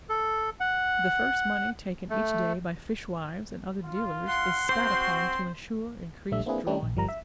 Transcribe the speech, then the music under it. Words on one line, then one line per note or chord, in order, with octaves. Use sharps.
The first money taken each day by fishwives and other dealers is spat upon to ensure increased drawings.
A4
F#5
A3
F4
F#5 C6
C4 F#4 C5
A#1 G3 A3 D4 E5
A#3 C4 D4 E4 G#4 B4
G3 A3 C#4 D4 E4 G4
A#1
G1 F3 G3 A#4 A#5
E5